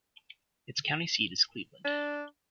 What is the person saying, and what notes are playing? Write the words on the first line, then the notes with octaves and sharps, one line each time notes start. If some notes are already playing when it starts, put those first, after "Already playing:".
Its county seat is Cleveland.
D4